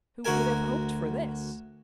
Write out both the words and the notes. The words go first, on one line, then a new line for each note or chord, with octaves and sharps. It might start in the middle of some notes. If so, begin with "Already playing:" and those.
Who could have hoped for this?
D2 F#4 A#4 G#5